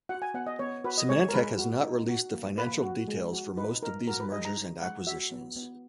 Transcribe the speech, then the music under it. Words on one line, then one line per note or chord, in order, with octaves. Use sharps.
Symantec has not released the financial details for most of these mergers and acquisitions.
F#4 F#5
G#5
B3 F#5
D#5
B3 C#5
F#4 B4
D#5
G#3 C#5
A#4
G#3 B4
F#4
D#4
F#4
A#3
A#3 B4
F#4
G#3
F#4
D#4 B4
D#4 A#4
F#4 A#4
B4
G#3 D#5
A#5
D#4
G#3 F#5
F#4 E5
B3
B3